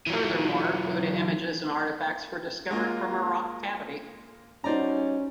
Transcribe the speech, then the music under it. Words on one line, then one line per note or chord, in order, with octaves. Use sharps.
Furthermore, Buddha images and artefacts were discovered from a rock cavity.
E3 F#3
G#3 A#3 F4
G3 C#4 D#4 F#4 C5 D5 A#5